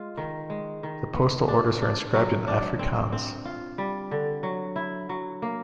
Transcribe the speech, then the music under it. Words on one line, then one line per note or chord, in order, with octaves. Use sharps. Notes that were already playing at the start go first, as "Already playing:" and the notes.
The postal orders are inscribed in Afrikaans.
Already playing: G#3 F4
D#3
G#3
D#3
B3
D4
D4
F#3
D4
C4
C4
F4
G3
D3
F#3
E4
F#3
A#3